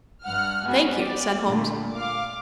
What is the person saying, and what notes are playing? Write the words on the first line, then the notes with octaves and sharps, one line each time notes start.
"Thank you," said Holmes.
G2 F#5 F6
B3 F#4 G#4
G4 D5
A#2 D3 A3
F5 D6